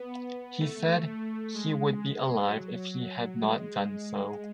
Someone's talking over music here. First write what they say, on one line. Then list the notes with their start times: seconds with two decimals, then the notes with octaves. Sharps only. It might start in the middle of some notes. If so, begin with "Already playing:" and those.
He said he would be alive if he had not done so.
Already playing: B3
0.13 B3
0.60 A3
1.07 A3
1.54 G#3
2.47 F#3
2.94 F#3
3.41 G#3